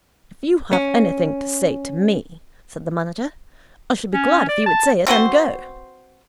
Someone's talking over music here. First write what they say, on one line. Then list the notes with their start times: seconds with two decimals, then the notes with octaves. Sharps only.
'If you have anything to say to me,' said the manager, 'I should be glad if you would say it, and go.'
0.73 C#4
4.14 C#4
4.49 D5
4.66 A5
5.07 C4 F#4 B4 C5